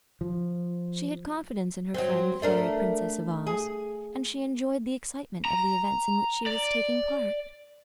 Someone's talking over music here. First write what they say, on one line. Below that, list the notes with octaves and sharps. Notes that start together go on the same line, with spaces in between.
She had confidence in her friend, the fairy Princess of Oz, and she enjoyed the excitement of the events in which she was taking part.
F3
F#3 C4
A3 D4 A#4
G#4
A#5
D5